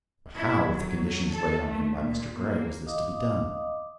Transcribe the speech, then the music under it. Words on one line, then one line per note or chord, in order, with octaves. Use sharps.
But how, with the conditions laid on him by Mr. Grey, was this to be done?
E4
F#3
A4
A3
A#2
A#3
D#5 F5 D6 D#6